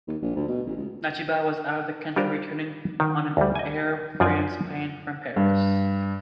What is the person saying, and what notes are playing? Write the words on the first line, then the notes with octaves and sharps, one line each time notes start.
Natchaba was out of the country, returning on an Air France plane from Paris.
D#2
A#1
D2
B2
A1
C#2
G3 D4 F4 A#4 C5
D#3
D2 G3
D#5 G#5
F#2 F3 F4 D5 G#5
G2